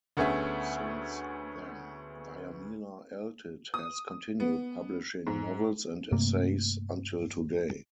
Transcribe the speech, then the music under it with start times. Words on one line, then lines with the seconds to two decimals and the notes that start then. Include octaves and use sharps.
Since then Diamela Eltit has continued publishing novels and essays until today.
0.17 D2 A3 B3 C#4 G#4 E5
3.74 D#6
4.40 B3
5.27 G#2
6.12 G2 C3 A3 A#3